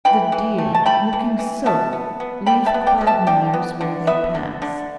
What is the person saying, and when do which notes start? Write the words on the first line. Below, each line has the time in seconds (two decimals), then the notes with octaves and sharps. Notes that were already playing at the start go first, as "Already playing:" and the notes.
The deer, looking soaked, leave quagmires where they pass.
0.05 E3 G5 B5
0.32 E3
0.58 A3
0.75 A5
0.85 A3 G5 B5
1.13 E3
1.39 E3
1.66 B2 E5 A5
1.93 B3
2.20 B3
2.46 G3 G5 B5
2.66 E5 A5
2.74 B3
2.86 D5 G5
3.01 B2
3.07 E5 A5
3.27 D3 D5 G5
3.54 B3
3.81 D3
4.07 B3 B4 E5
4.35 D3
4.62 D3